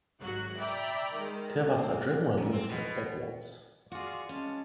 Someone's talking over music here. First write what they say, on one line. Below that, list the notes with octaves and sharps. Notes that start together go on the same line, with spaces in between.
There was a general movement backwards.
G#1 F#3 F#4 F#6
D5 E5 G5 A#5 B5
D#3 G#3
G#3 A#3 C4
A#2
C4
B2
F4 F#4 G#4 D5
G#3 C#4 F4 A5